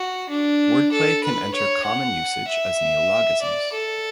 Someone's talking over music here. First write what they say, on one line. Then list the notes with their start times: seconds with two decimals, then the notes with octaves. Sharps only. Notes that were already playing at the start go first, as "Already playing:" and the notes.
Word play can enter common usage as neologisms.
Already playing: F#4
0.30 D4
0.92 A4
1.24 B4
1.55 C#5
1.85 F#5
2.48 E5
3.42 D5
3.73 A4